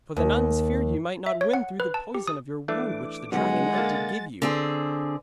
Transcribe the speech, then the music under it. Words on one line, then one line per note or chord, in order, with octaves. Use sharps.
'For the nuns feared ye might not win through the poison of your wound which the dragon knight did give you.
D#2
E5
C#5
F#5
B4
A5
G4
D#6
E3 A3 D4 D6
G1 F#3 G#3 B3 D#4 F#5
D3 A#3 A6
D3 C4 G#4